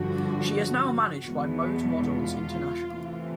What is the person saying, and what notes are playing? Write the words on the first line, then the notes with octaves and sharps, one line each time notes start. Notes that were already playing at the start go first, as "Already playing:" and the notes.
She is now managed by Mode Models International.
Already playing: G2 D3 F3 F#4
E2 B2 G#3 B3
F4
C3 E3 A3